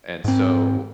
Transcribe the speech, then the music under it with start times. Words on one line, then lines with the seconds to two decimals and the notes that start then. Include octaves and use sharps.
And so
0.24 G#2 C4